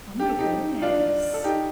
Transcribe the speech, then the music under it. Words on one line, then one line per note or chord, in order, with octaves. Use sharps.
Oh my goodness.
G4
A4
D#4 G4
D4 F4
A4
D#4 G4